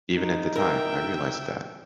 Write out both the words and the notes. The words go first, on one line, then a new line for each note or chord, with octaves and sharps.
Even at the time, I realized that.
D#4
A#4 E5 G5